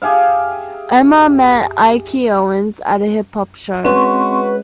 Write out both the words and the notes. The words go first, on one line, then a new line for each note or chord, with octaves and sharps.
Omar met Ikey Owens at a hip hop show.
G4 G#4 E5 F5
G#3 C4 C#4 F#4 B4 C6 C#6